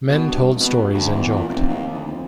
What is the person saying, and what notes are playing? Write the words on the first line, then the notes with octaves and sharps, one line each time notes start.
Men told stories and joked.
B2
G2
G#1
B2
D#1
D2
E2
A#2
F1
D#2
D2
F2